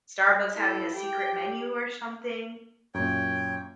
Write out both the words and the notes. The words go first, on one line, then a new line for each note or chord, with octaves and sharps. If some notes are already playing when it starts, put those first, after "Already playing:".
Starbucks having a secret menu or something,
G3
E4 A4
G4 G5
F#2 A#2 C#5 G5